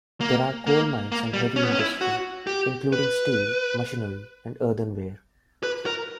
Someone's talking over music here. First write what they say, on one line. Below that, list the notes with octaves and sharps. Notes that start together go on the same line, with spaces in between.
There are coal mines and heavy industry, including steel, machinery, and earthenware.
A#3
A#3
A#3
G3
C#4
B3
C#4
E4
F#4
G4
B4
B4
A#4